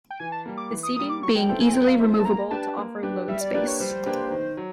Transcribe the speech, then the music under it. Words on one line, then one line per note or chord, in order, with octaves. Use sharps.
The seating being easily removable to offer load space.
G5
E3 G#5
A5
G3 A#3
D6
E3
D#6
G3 A#3 D#6
D6
F#3 C#6
G5
B3 E4 A4 C5 G5
G#5
F#3 G5
F5
B3 E4 A4 C5 E5
A5
A#3 A#5
D4 G4 B4 A5
A#3
D4 G4 B4
G3 E5
D5
A#3 D4 G4 B4 D5
C#5
G3 C5
A#3 D4 G4 B4
D#3
F#3